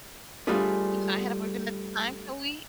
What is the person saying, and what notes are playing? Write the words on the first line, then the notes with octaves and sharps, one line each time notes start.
you know, I had a boyfriend at the time. So, we
G3 A3 D4 F4 G#4 B4